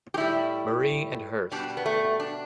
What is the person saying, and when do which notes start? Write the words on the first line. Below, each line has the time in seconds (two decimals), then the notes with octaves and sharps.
Marie and Hearst.
0.14 G4
0.17 A2 G3 E4
1.52 B2 G3 D4
1.77 B3
1.86 A3
2.20 D4